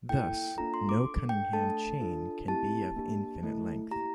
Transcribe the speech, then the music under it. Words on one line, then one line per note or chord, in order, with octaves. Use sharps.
Thus, no Cunningham chain can be of infinite length.
A#3 E4 A4 G5
A#3 D4 F4 A4 A#5
C6
D6
D4 A4
G5
A3 D4 A4 A5
D4 F4 A4
A3 C4 E4 G4 A5
A#3 D4 G4
A3 E4 A4
A#3 E4 G4 A#5